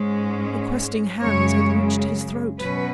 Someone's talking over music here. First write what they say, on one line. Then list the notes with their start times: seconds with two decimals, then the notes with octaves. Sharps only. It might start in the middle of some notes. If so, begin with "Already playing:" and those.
The questing hands had reached his throat!
Already playing: G#2 G#3 C#4
1.21 F#2 C#3 G#3 C#5
2.60 B2 F#3 C#4 B4